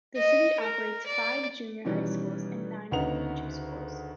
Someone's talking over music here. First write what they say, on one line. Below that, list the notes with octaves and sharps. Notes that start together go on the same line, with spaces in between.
The city operates five junior high schools and nine elementary schools.
D#5
A#4
D5
B2 D#3 E3 G3 C#4
D2 C#3 D#4 B4 F#5 F7